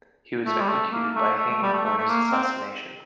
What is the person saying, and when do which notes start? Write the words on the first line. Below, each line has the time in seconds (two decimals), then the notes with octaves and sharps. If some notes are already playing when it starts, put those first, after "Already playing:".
He was executed by hanging for his assassination.
0.46 A3
0.61 G3
0.69 A3
0.92 A#3
1.15 A3
1.38 A3
1.50 A3
1.62 G3
1.73 A3
1.85 A3
1.98 A3
2.09 A#3
2.32 C4
2.43 C4